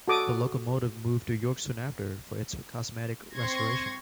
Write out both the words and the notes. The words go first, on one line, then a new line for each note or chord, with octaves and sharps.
The locomotive moved to York soon after for its cosmetic restoration.
F#4 A4 D6 D#6
C4 C6 C#6 G#6 A#6